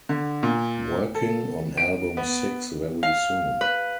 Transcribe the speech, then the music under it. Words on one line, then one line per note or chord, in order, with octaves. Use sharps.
Working on album six very soon.
D3
A#2
A4
D7
B3
F5
B4